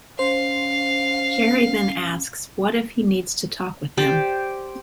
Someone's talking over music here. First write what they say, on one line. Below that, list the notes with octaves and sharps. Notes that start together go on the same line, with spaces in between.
Jerry then asks what if he needs to talk with him.
C#4 C5 F5
G4 C5 D5